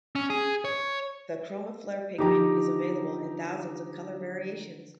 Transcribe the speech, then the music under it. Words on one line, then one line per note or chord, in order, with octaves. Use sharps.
The ChromaFlair pigment is available in thousands of color variations.
C#4
G#4
C#5
D3 F3 D#4 G4 A#5